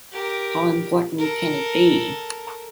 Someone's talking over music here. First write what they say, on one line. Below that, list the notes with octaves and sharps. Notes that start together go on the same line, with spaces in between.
How Important Can It Be?
G4 A#4
A4 A#4